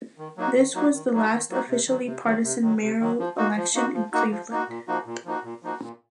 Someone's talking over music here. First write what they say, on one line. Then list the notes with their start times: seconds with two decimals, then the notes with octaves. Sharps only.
This was the last officially partisan mayoral election in Cleveland.
0.18 D#3
0.37 F#3 A#3 D#4 F#4
0.56 D#3
0.74 F#3 A#3 D#4 F#4
0.93 D#3
1.12 F#3 A#3 D#4 F#4
1.31 D#3
1.50 F#3 A#3 D#4 F#4
1.69 C3
1.87 D#3 F#3
2.06 C3
2.25 D#3 F#3
2.43 C3
2.62 D#3 F#3
2.82 C3
3.00 D#3 F#3
3.19 F3
3.37 A#3 D#4 F#4
3.56 F3
3.75 A#3 D#4 F#4
3.94 F3
4.13 A#3 D#4 F#4
4.32 F3
4.50 A#3 D#4 F#4
4.69 A#2
4.88 F3 A#3 D#4 F#4
5.06 A#2
5.25 F3 A#3 D#4 F#4
5.44 A#2
5.63 F3 A#3 D#4 F#4
5.82 A#2